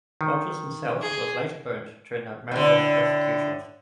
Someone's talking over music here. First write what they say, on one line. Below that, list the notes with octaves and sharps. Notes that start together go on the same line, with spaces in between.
Rogers himself was later burnt during the Marian persecutions.
D#3
G#4
A2 D3